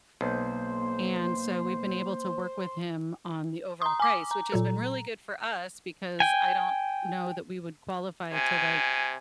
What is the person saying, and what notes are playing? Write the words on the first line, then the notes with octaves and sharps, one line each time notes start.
And so we've been able to work with him on the overall price, which has been really good for us because I don't know that we would qualify to, like,
B1 A#3 C5
A#5 C6 D#6
G#5 D6
A#5
A#2 F#3 A4
G5 G#5
C3 G#5